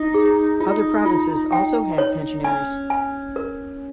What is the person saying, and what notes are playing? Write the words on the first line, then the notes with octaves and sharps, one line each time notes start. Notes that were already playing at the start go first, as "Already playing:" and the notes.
Other provinces also had pensionaries.
Already playing: D#4
G#4
D#4 F4
F4
G5
C#5
C#4 G#5
G#5
A#4